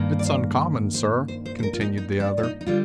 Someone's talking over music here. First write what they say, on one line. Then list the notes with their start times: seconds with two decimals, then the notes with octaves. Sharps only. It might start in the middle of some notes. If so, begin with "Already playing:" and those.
"It's uncommon, sir," continued the other.
Already playing: G2 D#3 A#3
0.19 D5
0.25 C5
0.94 C5
1.28 C5
1.46 C5
1.59 C5
1.63 A#4
1.73 F4
1.81 D#4
1.98 D#4
2.20 D4
2.38 F4
2.43 D#4
2.61 D#4
2.66 D3 G3 F4